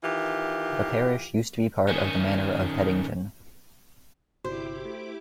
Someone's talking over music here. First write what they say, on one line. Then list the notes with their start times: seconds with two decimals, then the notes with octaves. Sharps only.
The parish used to be part of the manor of Headington.
0.03 D#3 E3 F4 G4
1.89 D#3 C#4
4.44 G1 C3 E4 F#4 G4 C5 D6 G6
4.85 A3